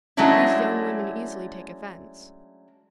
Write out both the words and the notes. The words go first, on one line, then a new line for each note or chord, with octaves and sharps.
These young women easily take offense.
F#3 G#3 A3 C#4 D4 E4